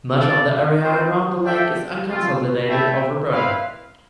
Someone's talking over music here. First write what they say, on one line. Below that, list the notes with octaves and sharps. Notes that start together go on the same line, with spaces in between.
Much of the area around the lake is unconsolidated overburden.
D4 A4 D5 F5
C4 F4 C5
D4 A4 E5 G5
A3 C4 F4
A3 E4 A4 E5 G5
C4 E4 B4 F5